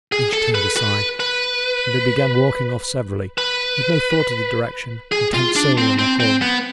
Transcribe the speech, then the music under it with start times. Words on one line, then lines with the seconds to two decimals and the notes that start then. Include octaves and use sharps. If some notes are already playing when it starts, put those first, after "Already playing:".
Each turned aside, and they began walking off severally, with no thought of the direction, intent solely on their quarrel.
0.12 G#4
0.33 A4
0.55 B4
0.77 B4
1.20 B4
3.38 B4
5.12 G#4
5.34 F4
5.56 D4
5.77 C4
5.99 C4
6.20 C4
6.42 B3